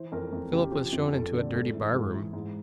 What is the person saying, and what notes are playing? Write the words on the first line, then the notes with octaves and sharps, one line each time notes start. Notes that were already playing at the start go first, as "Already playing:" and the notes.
Philip was shown into a dirty bar-room.
Already playing: E3 C5
F2 A#4
F2
C#3 G4
F3 G4
F2 G4
F2 A4
D3
G#2 A4
E3
G#2 G#4
E3
G#2